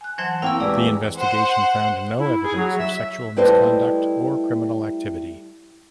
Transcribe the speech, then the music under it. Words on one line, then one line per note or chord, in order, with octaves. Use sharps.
The investigation found no evidence of sexual misconduct or criminal activity.
G#5 F#6
E3 F#3 C5 F#5 A5 C6
A#3 C4 E4 G5 A#5 C#6 E6
E2 G#3 G4 G#4 D5
C5 F#5
E4
G#4
F#3
E5
G3 A3 E4 B4 C5 D#5